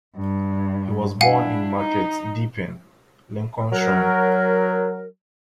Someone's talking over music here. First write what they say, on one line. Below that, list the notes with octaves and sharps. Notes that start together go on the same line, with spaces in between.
He was born in Market Deeping, Lincolnshire.
G2
D4 E4 F5 F#5 G#5
D#4
F#3 A#4